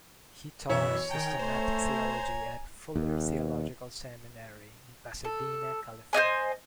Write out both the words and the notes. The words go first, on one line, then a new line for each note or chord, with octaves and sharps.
He taught systematic theology at Fuller Theological Seminary in Pasadena, California.
F#2 B2 E3 C#5 E5
D#3 G5 G#5 A#5
A3 C5
D#2
A4
C5 C#5 D#5 G#5